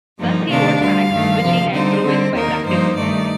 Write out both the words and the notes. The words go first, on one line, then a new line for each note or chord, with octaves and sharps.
Thus he wrote facts, which he had proven by practice.
G2 F3 A#3 D#4
C3 D#3 A3 D4 F5
D2 D3 G3 F5
G2 D#3 A3
D2 C3 F3
D3 G3 C4 D#4 C5
D3 G3 C4
D#2 D#3 A#3 D#4 A#4
G2 F3 A#3 D#4 C5
G2 D#3 A3 D#4 D5